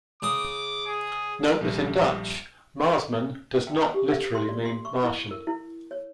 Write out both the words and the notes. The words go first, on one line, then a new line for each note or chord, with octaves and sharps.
Note that in Dutch, "Marsman" does literally mean "Martian".
C#3 D6 D#6
G#4
A#1 G3
G5
G#5
G4
F5
C6
D5
C6
C#6
E4
A#4
E4
C#5